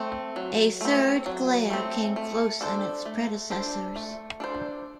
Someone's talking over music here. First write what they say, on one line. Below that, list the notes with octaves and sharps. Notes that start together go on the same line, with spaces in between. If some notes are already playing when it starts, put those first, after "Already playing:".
A third glare came close on its predecessors.
Already playing: A3 C4
F#3
A3 C4
F#3
A3 C4
A3
D4 A4 C5
A3
D4 A4 C5
A3
D4 A4 C5